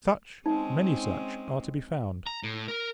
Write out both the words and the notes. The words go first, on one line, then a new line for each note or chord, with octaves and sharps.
Such, many such, are to be found.
G#3 C4 C#4 D#4
A#5
A2
A#4